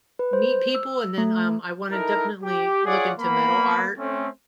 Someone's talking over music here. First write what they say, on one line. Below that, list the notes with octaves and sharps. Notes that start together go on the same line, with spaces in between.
meet people, and then, um, I wanna definitely look into metal art,
B4
C5
E6
A3
D#4 E4 A4 A#4
G4
F4 G#4 C#5 D5 F#5 D6
A#3 B3 B5
A3 C4 C#4